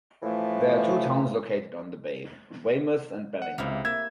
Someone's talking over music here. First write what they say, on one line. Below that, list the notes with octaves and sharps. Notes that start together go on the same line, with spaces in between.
There are two towns located on the bay: Weymouth and Bellingham.
A2 E3 F3 A3
F#5
C#2 C3 E4 F5
A#3 E5 E6 G#6